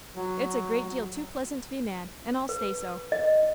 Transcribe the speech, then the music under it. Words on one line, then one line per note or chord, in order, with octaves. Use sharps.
It's a great deal too pleasant to be mad, and I'll stay so.
F#3
B4
D#5